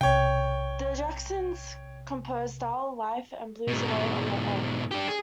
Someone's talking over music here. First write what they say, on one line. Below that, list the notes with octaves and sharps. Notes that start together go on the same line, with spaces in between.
The Jacksons composed "Style of Life" and "Blues Away" on their own.
B1 C3 C#5 G5
G#2 B2
D4 G4
G#4